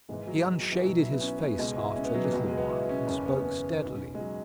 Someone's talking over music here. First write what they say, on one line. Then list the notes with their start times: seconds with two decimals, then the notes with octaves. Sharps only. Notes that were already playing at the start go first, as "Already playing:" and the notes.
He unshaded his face after a little while, and spoke steadily.
0.09 G#1 G#2 E3 G#3
0.27 F#3
0.46 E3
0.59 F#3
0.72 E3
0.83 B1 B2 F#3
1.02 E4
1.12 B3
1.21 C#4
1.39 B3
1.58 C#2 B2 G#3
1.77 E4
1.96 C#4
2.05 B3
2.14 F#3
2.24 E3
2.33 C#2 B2 F#3
2.48 G#3
2.58 B3
2.70 E4
2.89 C#4
3.07 F#1 E2 C#3 E3 C#4
3.26 B3
3.46 C#4
3.83 B1 B2
4.15 G#3
4.20 F#3